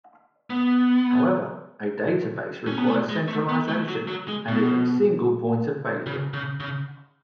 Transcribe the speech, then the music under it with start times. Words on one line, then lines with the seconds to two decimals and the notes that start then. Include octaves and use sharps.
However, a database requires centralization and is a single point of failure.
0.50 B3
2.67 C#4
2.78 B3
2.88 A3
3.09 G#3
3.28 A3
3.49 B3
3.68 A3
3.88 F#3
4.08 F#3
4.28 G#3
4.48 B2
6.06 C#3
6.33 C#3
6.60 C#3